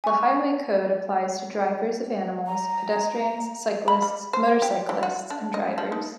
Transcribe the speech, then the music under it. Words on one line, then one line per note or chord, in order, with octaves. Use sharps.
The Highway Code applies to drivers of animals, pedestrians, cyclists, motorcyclists and drivers.
G#5 C#6
A#5
B5
G3
C5
G4
E3
F#4
D4
D#5
F3
D#4